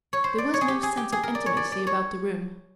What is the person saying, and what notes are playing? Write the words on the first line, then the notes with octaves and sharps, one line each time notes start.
There was no sense of intimacy about the room.
C#5
C5
D5
C#5
G#4
G4
G#4
G4
G#4
A#4
D5
C#5
D5
D5
C#5